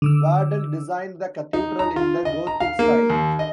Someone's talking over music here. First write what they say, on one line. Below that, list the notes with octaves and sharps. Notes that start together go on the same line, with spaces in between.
Wardell designed the cathedral in the Gothic style.
D3 D6 E6
D#4
A#5
F4
D#5
A#5
F5
A#3
D#2
D#5